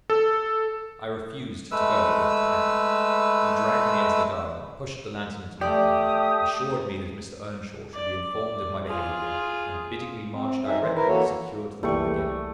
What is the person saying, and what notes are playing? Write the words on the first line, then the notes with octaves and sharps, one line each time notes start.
I refused to go without Cathy; he dragged me into the garden, pushed the lantern into my hand, assured me that Mr. Earnshaw should be informed of my behaviour, and, bidding me march directly, secured the door again.
A4
G#3 A3 B4 E6
A3 G4 D5 D#6
D5
D5
F4 G#4
C4
D#4 G#4 E5
D#3 E3 C5
E4 A#4 B4
E3 A#3 F#4 A4 C#5
C2 E3 G3 A3 A#3 G#4 C#6